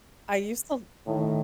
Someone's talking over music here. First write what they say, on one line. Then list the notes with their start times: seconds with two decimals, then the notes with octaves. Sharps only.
I used to l
1.07 A2 D#3